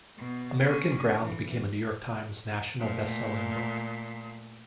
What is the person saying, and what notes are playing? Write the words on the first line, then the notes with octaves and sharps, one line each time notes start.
"American Ground" became a "New York Times" national bestselling book.
B2
D3 C#4
E3
A#2 A3